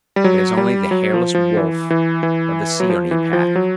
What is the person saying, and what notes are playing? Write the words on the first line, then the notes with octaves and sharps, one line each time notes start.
It is only the hairless wolf of the Seeonee Pack.
G3
F#3
G3
F#3
F3
F3
E3
E3
E3
F#3
F3
E3
F3
F#3